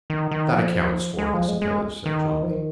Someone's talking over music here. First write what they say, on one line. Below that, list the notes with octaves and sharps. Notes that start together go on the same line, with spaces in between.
"That accounts for it, I suppose," said Johnny.
D#3
D#3
F3
G#3
F3
G#3
G#3
D#3
F3
D#3